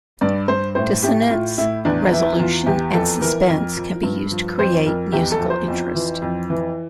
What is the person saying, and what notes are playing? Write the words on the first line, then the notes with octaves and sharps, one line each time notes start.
Dissonance, resolution, and suspense can be used to create musical interest.
G2 D5
G2 C5
A2 C5
A2 G4
A2 F4
A2 E4
E2 D4
E3 E4
E2 F4
E2 G4
F2 A4
E3 A#4
F2
F3
G2
F3
F2 C5
F2 A#4
E2 G4
A4
F3
C5
F2
E3
F2
E3